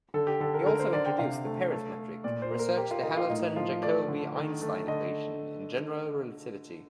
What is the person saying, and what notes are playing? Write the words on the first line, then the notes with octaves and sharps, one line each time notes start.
He also introduced the Peres metric and researched the Hamilton-Jacobi-Einstein equation in general relativity.
D3 A4
G4
D3 A4
A#4
A4
D3 A#4
C5
D3 D5
G5
C3 F5
A3
A3
A3
A#2 D5
C5
A#3
A#4
A#3 G4
F4
A#3 D#4
F4
A2 D#4
F3 F4
A3 D5
D3
D#3
A3
D3 D#5